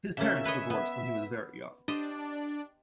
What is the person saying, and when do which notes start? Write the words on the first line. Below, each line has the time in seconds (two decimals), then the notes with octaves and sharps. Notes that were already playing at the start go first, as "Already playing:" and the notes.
His parents divorced when he was very young.
0.17 C#3 A#3 C#4 E5
0.45 B4 C#5 D#5
0.70 B3
1.88 D4 G4 C5 D#5